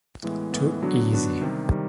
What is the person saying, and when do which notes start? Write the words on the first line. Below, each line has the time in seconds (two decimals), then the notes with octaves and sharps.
Too easy.
0.23 A2 E3 G#3 B3
0.53 A2 E3 G#3 B3
0.82 D3 F#3 B3 D4 F#4
1.11 D3 F#3 B3 D4 F#4
1.41 C3 D#3 G3
1.71 C3 D#3 G3